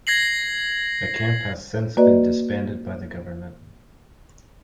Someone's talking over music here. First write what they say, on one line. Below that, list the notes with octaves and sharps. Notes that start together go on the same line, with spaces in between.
The camp has since been disbanded by the government.
G#6 A#6 C7 F#7
A#3 F#4 B4 D5 D#5